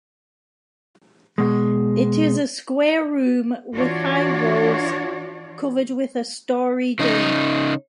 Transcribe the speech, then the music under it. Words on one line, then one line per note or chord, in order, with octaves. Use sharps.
It is a square room, with high walls, covered with a starry dome.
B2 G#3
E3 D4 F4 F#4 C#5 D5
C#3 D#4